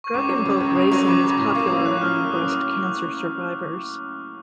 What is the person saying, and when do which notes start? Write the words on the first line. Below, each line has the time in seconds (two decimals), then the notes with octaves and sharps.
Dragon boat racing is popular among breast cancer survivors.
0.04 C#6
0.14 C#2 D6
0.29 F#3
0.45 C#3
0.60 C#2
0.75 C#2 D#6
0.92 F#3 C#6
1.07 C#3 D6
1.23 C#2
1.38 A2 C#6
1.54 A#3 D6
1.70 F#3 D#6
1.85 C#4 F#6
2.01 A2 F6
2.17 A#3
2.32 F#3 D#6